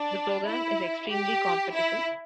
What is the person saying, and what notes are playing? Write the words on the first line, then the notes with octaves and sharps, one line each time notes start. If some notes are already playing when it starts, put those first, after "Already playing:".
The program is extremely competitive.
Already playing: D4
E4
G4
E4